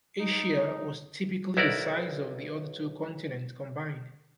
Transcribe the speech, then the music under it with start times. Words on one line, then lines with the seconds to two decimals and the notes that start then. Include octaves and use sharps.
Asia was typically the size of the other two continents combined.
0.20 D#4
1.57 B1 E4 F#4 A#4 D5